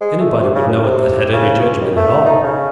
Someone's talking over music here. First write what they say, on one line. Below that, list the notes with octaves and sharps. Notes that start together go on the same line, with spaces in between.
Anybody would know it that had any jedgment at all.
G#3
A3
C3
C#3
F#2
C3
C#3
C#2
D#3
A3
D#4
C#3